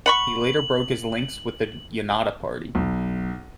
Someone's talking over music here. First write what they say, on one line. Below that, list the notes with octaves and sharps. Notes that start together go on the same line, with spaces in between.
He later broke his links with the Janata Party.
F#5 B5 C#6 F#7
B1